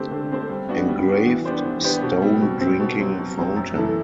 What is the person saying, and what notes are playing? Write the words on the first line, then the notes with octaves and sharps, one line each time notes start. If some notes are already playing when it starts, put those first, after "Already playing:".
Engraved stone drinking fountain.
Already playing: D3 A3 C4 G4 C5
D3
A3 C4 G4 C5
G3
B3 D4 F#4
G3
B3 D4 F#4
E3
B3 D4 G4 C5
E3
B3 D4 G4 C5
B2
G3 C4
B2
G3 C4
B2
F#3 C4
B2
F#3 C4
F#2
E3 A3 E4 A4